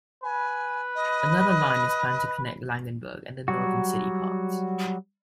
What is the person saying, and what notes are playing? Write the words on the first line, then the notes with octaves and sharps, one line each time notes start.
Another line is planned to connect Langenberg and the northern city parts.
B4 G#5
D#5
F#3 G3 F#4